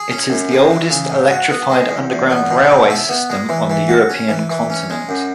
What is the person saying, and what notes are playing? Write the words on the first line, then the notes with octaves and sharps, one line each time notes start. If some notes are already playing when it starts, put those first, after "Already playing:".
It is the oldest electrified underground railway system on the European continent.
Already playing: G#4
C#4
F#2
G#3
E3
C#3
G#2
F#4
B3
G#3
E2
E2
B3
B2
G#2
E4
B3
G#3
E3
E3
F#4
C#4
E3
E3
C#4
G#3
F#2